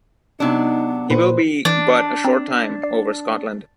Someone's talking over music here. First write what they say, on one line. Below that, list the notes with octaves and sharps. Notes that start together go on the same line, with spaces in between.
He will be but a short time over Scotland.
C3 F#3 B3 D4 D#4
A#2 B4 C5
E3 D4
C4 G5 A#5
D5 C7